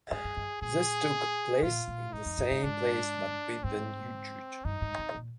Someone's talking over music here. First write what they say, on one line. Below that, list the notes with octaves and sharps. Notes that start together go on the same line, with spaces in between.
This took place in the same place but with a new judge.
G#2 G#4
G2
G2
A#2 G#4
A#2 F4
A#2
G#2 D#4
F2
G2
G#2
G#2 D4
G#2 C4
G2 D#4
G#2
C3
A#2